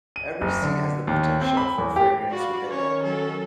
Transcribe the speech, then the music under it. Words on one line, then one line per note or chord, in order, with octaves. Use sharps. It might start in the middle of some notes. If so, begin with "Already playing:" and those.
Every seed has the potential for fragrance within it.
D#7
F#1
D3
D#2
C4
B5
E2
G4
F#4 D5 F5 B5
D#3 C#4 A#4 C#5
F#3 A4